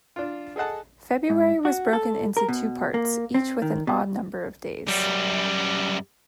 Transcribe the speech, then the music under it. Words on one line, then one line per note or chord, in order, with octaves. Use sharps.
February was broken into two parts, each with an odd number of days.
D4 F4
G#4 A4 D#5 F#5 A5
G#2
F#4
A4
A#4
B2
A#3
C4
D#3
B2
F#2 G3